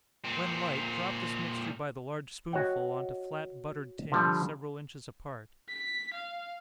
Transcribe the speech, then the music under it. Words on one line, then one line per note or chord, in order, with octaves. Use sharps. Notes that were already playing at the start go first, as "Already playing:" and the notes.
When light, drop this mixture by the large spoonful on to flat, buttered tins, several inches apart.
A#2 C4
F#4 C#5 D#5 F#5 G5
D3 F3 G3
B6
F5